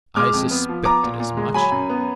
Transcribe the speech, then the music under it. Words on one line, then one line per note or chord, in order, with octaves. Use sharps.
I suspected as much.
G#3 D6 F6
F2
B3
F3
B3 A#5 D6
A#2
A#2
G#3
F#3 G#5 B5
F#2
B3